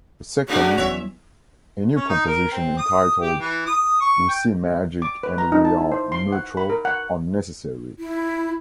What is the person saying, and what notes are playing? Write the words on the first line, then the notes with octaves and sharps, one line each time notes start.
The second, a new composition entitled "We See Magic and We Are Neutral, Unnecessary".
C#3 A3 D4 F#4
E2 F#3 C#5 E5
C#4
D#4
A#4
C4
D#6
G4
E3
D#6
C#6
G5
D6
B4
A#5
D#4
A5
E4
C5
C6
F#5
B5
A#4
F#5
E4